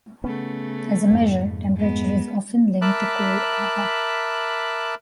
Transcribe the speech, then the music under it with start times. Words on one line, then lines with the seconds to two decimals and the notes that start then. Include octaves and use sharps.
As a measure, temperature is often linked to cold or hot.
0.24 C#3 A3 B3 C#4
1.10 F2 G#2 A#3
1.76 G#3 B3
2.82 A#4 E5 A5 B5 D6 F#6